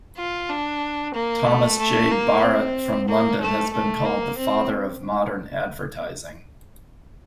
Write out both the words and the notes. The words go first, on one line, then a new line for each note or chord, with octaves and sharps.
Thomas J. Barratt from London has been called "the father of modern advertising".
F4
D4
A#3
A3
A3
A#3
C4
A#3
A3
A3
A#3
C4